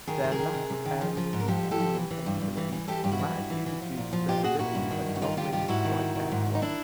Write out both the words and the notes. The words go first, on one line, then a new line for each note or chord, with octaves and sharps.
Their lack of aerial refueling capability dramatically reduced their ability as long-range strike aircraft.
D#3 G#4 A#4
D#3
G#4 A#4
D#3
C3
C3
D#3
F3
F3
G#2
A#4
F3 G4 A4
G#2
G4 A4
F3
E3
E3
G2
G2
E3
E3
E3 G4 A4
G2 G4
E4 F#4
E3
G2
E3
E3
F3
A#2
F3
A#2 F4 G4
A#2 F#4 G#4
A#2 E4 F#4
G2
D#3
G2
F#4
D#3 D#4 F4
D#3 F4 G4
G2 F4 G4
G#2 E4 F#4
D#3
G#2
D#3
G#2
D#3
D#4
D4 E4